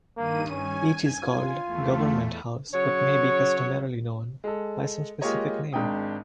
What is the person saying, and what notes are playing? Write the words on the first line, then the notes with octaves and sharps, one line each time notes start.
Each is called "Government House", but may be customarily known by some specific name.
G2 D#3 A#3 D#7
C#4 G#5
F4
E2 A3
C#3 F#3 C#5
G#3 A4
G#3 A#3 F4 G4 C#5 D#5
G#1 G#2 D4 G5 D#6